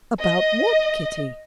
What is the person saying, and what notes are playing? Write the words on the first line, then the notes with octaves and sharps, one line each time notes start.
"About what, Kitty?"
D#5